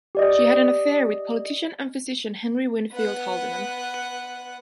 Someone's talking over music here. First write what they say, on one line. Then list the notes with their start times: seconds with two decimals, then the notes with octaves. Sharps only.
She had an affair with politician and physician Henry Winfield Haldeman.
0.15 G4 D5 D#5
2.92 B3 F#5